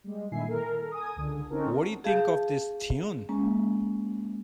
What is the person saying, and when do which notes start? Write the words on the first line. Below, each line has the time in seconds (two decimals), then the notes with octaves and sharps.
What do you think of this Tune?
0.04 G3 G#3
0.31 A#2 D3 D#3 E4 G#5 C7
0.48 A4 A#4
0.91 G#5 D#6
1.16 C#2 D3
1.50 C4 C#4 D#4 F#4 A4 A#4
2.04 G#4 F5 A5 G6
3.29 G#3 A#3 C#4